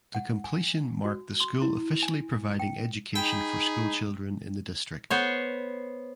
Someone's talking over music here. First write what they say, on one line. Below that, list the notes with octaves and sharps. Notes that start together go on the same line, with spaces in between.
The completion marked the school officially providing education for school children in the district.
F#5
G#5
F#4
C6
E4
G#5
G5
D#4 G#4 G5 B5
B3 C5 C#5